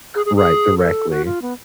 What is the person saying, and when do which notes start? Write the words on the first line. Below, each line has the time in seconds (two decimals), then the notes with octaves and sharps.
Right. Directly.
0.15 G#4
0.26 G#4
0.36 G#4
0.78 A4
1.10 F#4
1.25 F4
1.42 B3